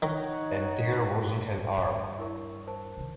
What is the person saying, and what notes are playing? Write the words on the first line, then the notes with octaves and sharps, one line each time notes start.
And there wasn't an arm!
D#3 D#4 C#5 F#5
D4
G2 C#5 E5 G5
E4 A#4 C#6
A#4 C5 A5
C3 D#3